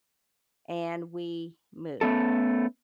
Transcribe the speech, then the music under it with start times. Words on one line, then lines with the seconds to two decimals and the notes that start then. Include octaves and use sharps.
and we moved.
2.01 A3 B3 C#4 A4